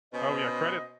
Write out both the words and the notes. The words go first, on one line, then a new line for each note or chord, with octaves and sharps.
Oh, yeah credit
B2 C#4 C5 D#5